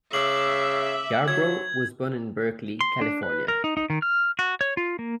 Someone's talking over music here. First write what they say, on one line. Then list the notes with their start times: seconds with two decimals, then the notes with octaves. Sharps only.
Yarbro was born in Berkeley, California.
0.13 C#3 E5 D6 F#7
1.28 F#3 G#6
2.81 C6
3.01 D4
3.23 B4
3.48 A#4
3.64 D#4
3.77 D#4
3.90 D#3
4.02 F6
4.39 F#4
4.61 C#5
4.77 F4
4.99 A#3